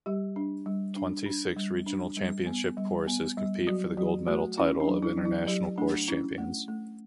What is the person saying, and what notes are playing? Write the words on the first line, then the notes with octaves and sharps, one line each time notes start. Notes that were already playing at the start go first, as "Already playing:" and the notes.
Twenty-six regional championship choruses compete for the gold medal title of International Chorus Champions.
G3 G4
D4
G3
D4
D4
G3
D4
G3
B3
G3
B3
G3
F#3 F#4
F#3 F#4
A3 F#4
C#4 E4
D4
F#3
E4
F#3
E4
F#3 G4
A3 D4
C#4 E4
A3
A3